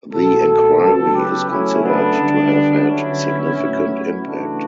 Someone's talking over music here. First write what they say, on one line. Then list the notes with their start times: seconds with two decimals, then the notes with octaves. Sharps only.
The enquiry is considered to have had significant impact.
0.13 B2 A3 F#4 A4
0.82 C#3 F#3 B3 F#4 A4
1.15 G4 B4
1.50 C#3 F#3 A3 C#4 E4
1.84 B3 D4
2.19 D3 G3 B3
2.87 D3 F#3 B3 C#4 E4
3.56 A2 F#3 B3
4.25 C#3 E3 A3 D4 F#4